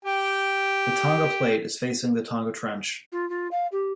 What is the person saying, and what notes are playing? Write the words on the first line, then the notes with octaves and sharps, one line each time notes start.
The Tonga Plate is facing the Tonga Trench.
G4 G5
F4
F4
F5
G4